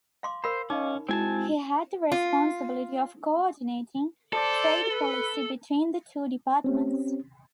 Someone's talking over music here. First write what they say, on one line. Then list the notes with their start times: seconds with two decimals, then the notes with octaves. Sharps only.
He had the responsibility of co-ordinating trade policy between the two departments.
0.23 F5 C6 D6
0.44 A#4 C5 F5 B5
0.70 C#4 D#4 D#5 F5 D6
1.09 G#3 C4 E4 F#4 G#5 A5
2.12 F4
4.33 A4 C5 D5
4.91 B4
6.64 C4 C#4 G4